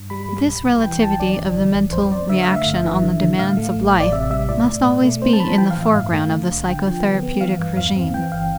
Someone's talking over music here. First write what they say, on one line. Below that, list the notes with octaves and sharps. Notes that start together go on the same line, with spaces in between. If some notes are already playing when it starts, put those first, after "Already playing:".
This relativity of the mental reaction on the demands of life must always be in the foreground of the psychotherapeutic regime.
Already playing: G2
G3 B5
G3
B1
B1
E3 G5
E3 A5
D3 D5
G1
E3
A1
F2 C5
F2 D5
D3 E5
F5
A3
E5
G1
E3
D3
D3
A2 F5
A3
A1
A1
D5
C3 E5
G3 E5
A2 D5
A2
B2
A3
C4 C5
A5
F3 B5
E3 G5
F5
A2
E5
G2 F5
A3
D3
A1
D3 G5
F3
B3
B3
E3 F5
G2
E2 F5
C4
E3 G5
G1 F5